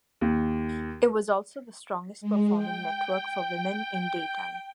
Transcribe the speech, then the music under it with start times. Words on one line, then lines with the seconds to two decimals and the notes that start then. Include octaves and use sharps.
It was also the strongest performing network for women in daytime.
0.21 D#2
2.21 G#3
2.56 G5